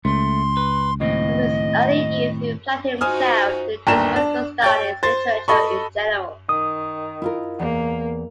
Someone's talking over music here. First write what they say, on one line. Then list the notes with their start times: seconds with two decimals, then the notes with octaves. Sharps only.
From his early youth he applied himself to historical studies and literature in general.
0.05 C#2 A3 C6
0.57 B4
1.00 D#2 A2 C4 D#5
3.01 D#4 F4 F#4 C5 G#5 D#6 F6
3.87 G1 D#2 D4 A#5 E7
4.16 D4
4.62 C#5 G5 A6
5.03 C5 A6
5.48 A4 D#5 B5 C#6
6.49 D#3 D#6
7.22 E4 F4 A#4
7.59 E2 A#3